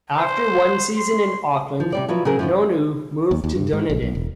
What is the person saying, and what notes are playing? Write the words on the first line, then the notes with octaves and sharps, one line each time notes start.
After one season in Auckland, Nonu moved to Dunedin.
C5
C6
F3
C3 G3 D5
F3 F#3 E4 F4 B4
C#3 F#3 C4 F#4 G#4 A#4
F#2 F3 F4
D#2
D#2
G2
G#2
A#1
B1
E1